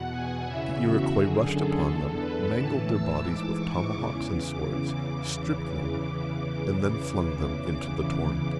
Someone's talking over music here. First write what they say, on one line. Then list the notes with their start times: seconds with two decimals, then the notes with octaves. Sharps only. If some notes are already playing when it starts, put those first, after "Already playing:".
The Iroquois rushed upon them, mangled their bodies with tomahawks and swords, stripped them, and then flung them into the torrent.
Already playing: E2 B2 F#5
0.11 G#5
0.46 E2 C#3 E3 E5
0.81 F#4
1.15 F#2 D3 G#4
1.50 A4
1.84 E2 D3 A4
2.20 B4
2.54 A2 E3 A5
2.89 E6
3.23 G#2 E3 D6
3.58 C#6
3.93 E2 C#3 E3 D6